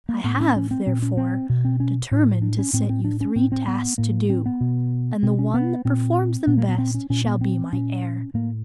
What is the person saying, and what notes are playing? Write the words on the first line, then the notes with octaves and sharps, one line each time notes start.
I have, therefore, determined to set you three tasks to do, and the one that performs them best shall be my heir.
A#3
A2 B3
C#4
C#4
C4
A#2 C4
C#4
C4
B2
C4
C#4
A2
D4
C#4
A2 C4
C4
D4
C#4
A2 C4
C4
B3
A2 A#3
C4
B3
B2
B2 C4
C#4
B3
A#2 C4
A#2 B3
A#3
B3
C4
C#4
A#2 C#4
B3
C4
A#2 C#4
A2 A#3